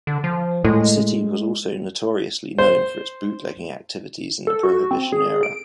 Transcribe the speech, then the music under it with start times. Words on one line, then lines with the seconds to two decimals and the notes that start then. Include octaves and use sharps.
The city was also notoriously known for its bootlegging activities in the Prohibition era.
0.07 D3
0.24 F3
0.65 A2 G#3
2.58 C5
4.47 A4
4.63 F#4
4.91 C4
5.12 G#4
5.43 D7